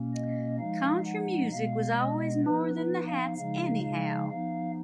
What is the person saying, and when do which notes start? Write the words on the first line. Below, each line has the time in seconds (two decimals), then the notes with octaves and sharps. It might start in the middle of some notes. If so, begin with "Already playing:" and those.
Country music was always more than the hats anyhow.
Already playing: B2 A#3 C#4
0.14 D#5
0.59 F3 G#3 D#4 F5
1.05 F#5
1.52 B2 G#3 B3 F5
1.99 D#5
2.45 F3 B3 D#4 B4
2.76 B4
3.07 F5
3.37 C#3 F3 G#3 D#4 F5
3.84 F5
4.30 F3 B3 D#4 F5